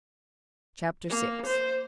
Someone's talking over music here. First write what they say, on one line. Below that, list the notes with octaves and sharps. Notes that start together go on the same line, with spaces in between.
Chapter VI.
A#3
C5